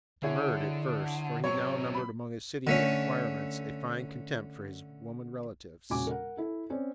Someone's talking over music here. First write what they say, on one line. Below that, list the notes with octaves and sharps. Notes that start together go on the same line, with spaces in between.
He demurred at first, for he now numbered among his city acquirements a fine contempt for his woman relatives.
D3 E4 G#4 C#5
F#3 C4 C#5 C#6
B5
D3 A3 C#4
E1 A#2 C#3 F#4 G#5 D6
A#4 F#5
E4 A4
C4 C#4 D5